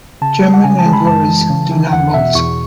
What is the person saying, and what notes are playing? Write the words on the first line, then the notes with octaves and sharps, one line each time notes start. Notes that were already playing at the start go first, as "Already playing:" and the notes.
German Angoras do not moult.
C#3 A5
G#3
F#5
C#3 G#5
A5
G#3
B5
F#2 A5
E3
C#3
E3
E2 F#5
B2 E5
E2 C#6